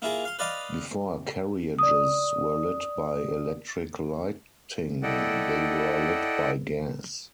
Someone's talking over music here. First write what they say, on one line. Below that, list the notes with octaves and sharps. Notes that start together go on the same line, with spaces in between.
Before carriages were lit by electric lighting they were lit by gas.
A#3 E4 F4 G#4 A#4
F5 C6
B4 D5 D#5 F5 B5 C6
D5 D#6
E4 A4 D5 D#5 F#5 G5